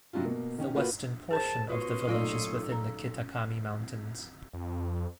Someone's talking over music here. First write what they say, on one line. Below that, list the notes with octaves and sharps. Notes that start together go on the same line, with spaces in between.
The western portion of the village is within the Kitakami Mountains.
G2 C3 F#3 C#4 F4
B2 A#3
D#3 C#4
A#3 F4 F#4 B4
G#4 A#4 C5 A5
B3 F4 F#4 B4 C#5 C6 D#6
B1 A#2 A3 D#4 F4 A4 D5
A#5
F2